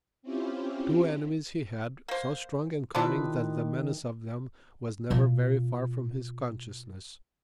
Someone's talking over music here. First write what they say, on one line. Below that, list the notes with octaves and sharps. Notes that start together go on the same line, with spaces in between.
Two enemies he had, so strong and cunning that the menace of them was never very far from his consciousness.
C4 C#4 E4 F4 G4
A#3 C5
C3 D#3 D4 E4 F4 B4 C6
B2 F4